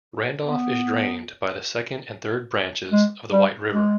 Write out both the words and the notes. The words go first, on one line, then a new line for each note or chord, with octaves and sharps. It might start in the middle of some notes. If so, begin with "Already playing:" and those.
Randolph is drained by the second and third branches of the White River.
B3
G#3
G3
G#3